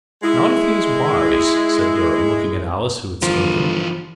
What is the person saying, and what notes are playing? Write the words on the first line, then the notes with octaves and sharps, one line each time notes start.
"Not if he is wise," said Durham, looking at Alice, who had spoken.
G#3 E4
G1 E3 F3 A#4